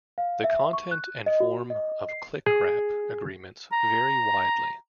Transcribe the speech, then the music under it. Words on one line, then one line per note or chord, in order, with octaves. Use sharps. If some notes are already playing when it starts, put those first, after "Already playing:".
The content and form of clickwrap agreements vary widely.
F5
E5
C#6
F#6
D#5
F#4
D#5
C7
G#4
A#5